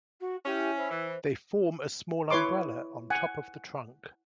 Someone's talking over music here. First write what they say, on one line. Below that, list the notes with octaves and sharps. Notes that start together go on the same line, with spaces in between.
They form a small "umbrella" on top of the trunk.
F#4
C#4 E4 G4 E5
E4 C5
E3
E4 B4 C#5 C6 D6
F#5 G#5